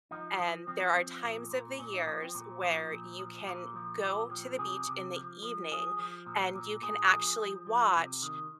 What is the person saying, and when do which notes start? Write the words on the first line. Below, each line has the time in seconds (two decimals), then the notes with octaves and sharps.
and there are times of the years where you can go to the beach in the evening and you can actually watch
0.11 F3 D#4
0.40 F3
0.67 F3 C4
0.80 C#4
0.94 F3 C4
1.24 A#2
1.51 A#2
1.79 A#2 C#4
1.94 D#4
2.07 F3 C#4
2.22 C4
2.35 A#2
2.63 F3
2.91 A#2
3.19 F3
3.47 A#2 F4
3.76 F3
4.03 A#2 G4
4.31 F3
4.59 C3 G#4
4.87 C3
5.15 F3
5.43 F3
5.72 F3 G#4
5.99 F3
6.26 A#2
6.55 A#2
6.82 A#2 G#4
7.11 F3
7.39 F3
7.67 F3
7.95 C3
8.22 D#3